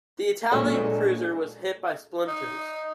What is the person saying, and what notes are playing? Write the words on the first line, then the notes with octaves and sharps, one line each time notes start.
The Italian cruiser was hit by splinters.
A#2 F#3 G#3 C#4 D4 A4
D#4